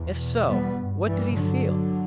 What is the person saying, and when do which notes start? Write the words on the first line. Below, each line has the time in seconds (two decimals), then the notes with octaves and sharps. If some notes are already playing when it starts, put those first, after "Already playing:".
If so, what did he feel?
Already playing: E2 B2
0.48 G3 B3
0.77 G2
1.06 E3 G3
1.35 D3 F#3